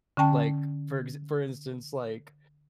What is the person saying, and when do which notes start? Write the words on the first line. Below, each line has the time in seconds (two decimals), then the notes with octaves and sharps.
like, for ex for instance, like,
0.17 D3 C#4 G5 A5